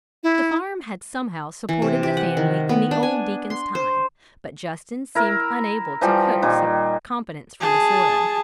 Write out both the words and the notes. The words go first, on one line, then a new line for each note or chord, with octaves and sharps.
The farm had somehow supported the family in the old Deacon's time, but Justin seemed unable to coax a competence from the soil.
E4
E3
C3
G4
F#5
D#3
B3
D4
G#5
C6
C5
E4 A#4
E3 F3 G3 G5
A#2 D#3 G3
G#4 A5